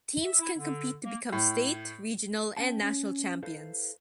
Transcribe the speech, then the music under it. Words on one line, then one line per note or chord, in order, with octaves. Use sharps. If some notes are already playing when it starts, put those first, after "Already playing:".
Teams can compete to become state, regional, and national champions.
E5
E4
D3
A#3
A2
C4 C#4 G5 A5
C#4
E4 A4 B4 C5 F5